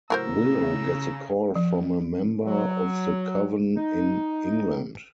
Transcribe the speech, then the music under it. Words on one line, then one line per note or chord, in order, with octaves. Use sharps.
Willow gets a call from a member of the Coven in England.
A2 C#3 F#3 A#4 C5 A#5 E6
F3
F#3
D#4